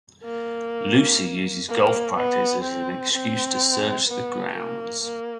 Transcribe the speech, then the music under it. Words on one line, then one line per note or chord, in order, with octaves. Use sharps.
Lucy uses golf practice as an excuse to search the grounds.
A#3
A#3
B3
C4
C4
B3
A#3
A#3